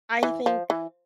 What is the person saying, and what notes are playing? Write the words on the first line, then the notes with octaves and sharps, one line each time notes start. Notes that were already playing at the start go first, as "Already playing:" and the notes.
I think,
E3
F3
E3